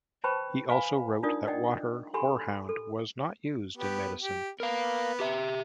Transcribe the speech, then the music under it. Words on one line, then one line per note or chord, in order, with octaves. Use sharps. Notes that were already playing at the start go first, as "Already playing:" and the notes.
He also wrote that water horehound was not used in medicine.
B4 C5 G5 A5 B5 C#6
B4 F5 G#5 B5
D4 D#4 F4 A#4 D5 D#6
D5 D#5 F#5 G5
G4 A4 F#5 G#5 B5 C6
A4
B3 G4
G4
B3 A#4 F5
G4 E5